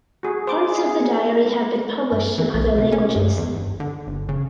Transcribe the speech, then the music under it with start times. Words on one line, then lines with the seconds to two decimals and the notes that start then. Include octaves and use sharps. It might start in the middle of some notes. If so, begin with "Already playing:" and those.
Parts of the diary have been published in other languages.
0.23 F#4 G#4
0.47 C5 D6
0.67 G#4
2.12 G2
2.38 E3
2.54 B1
2.78 C3
2.92 C#4
3.16 G2
3.38 E2
3.56 G1
3.80 D3
4.07 G1
4.29 C#3